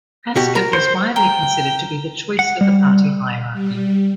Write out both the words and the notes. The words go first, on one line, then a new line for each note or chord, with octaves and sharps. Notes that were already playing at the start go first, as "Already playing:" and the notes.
Haskett was widely considered to be the choice of the party hierarchy.
B2 F#4 G4
A#4 A#5
C5
A#4 G5
F#5
G3
G3